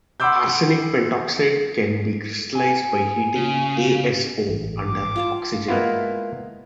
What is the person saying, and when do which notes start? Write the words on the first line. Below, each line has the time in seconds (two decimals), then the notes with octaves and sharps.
Arsenic pentoxide can be crystallized by heating AsO under oxygen.
0.20 F#5 B5 C6 D6 E6 G6
2.55 G#5
3.35 C#3
4.48 A1
4.79 D6
5.16 F4 F5 A5
5.68 G#3 A#3 B3 E4 F4